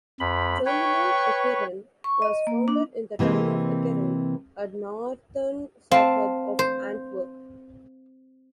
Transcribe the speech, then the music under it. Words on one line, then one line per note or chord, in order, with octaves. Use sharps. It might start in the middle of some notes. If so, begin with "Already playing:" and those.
Germinal Ekeren was founded in the town of Ekeren, a northern suburb of Antwerp.
F2 B5
B4 C#5 G5 C#6
C#6
D#5
A#3
D4
C3 E3 G#3 A#3 C4
C4 F5 A5
C5